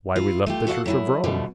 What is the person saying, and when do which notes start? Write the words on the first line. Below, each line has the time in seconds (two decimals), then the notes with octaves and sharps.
Why we left the church of Rome.
0.16 E4 F4
0.46 A3 F4 G4
0.67 F#4 A4 C5 D#5 F5 F#5
0.86 F#3 E4 G#4
1.24 G#2 B2 D3 F3 G3 A3